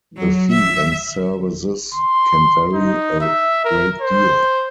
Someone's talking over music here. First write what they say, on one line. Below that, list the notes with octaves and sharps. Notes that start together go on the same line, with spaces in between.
The fee and services can vary a great deal.
F#3
E5
C6
D#4
E5
A#4
C5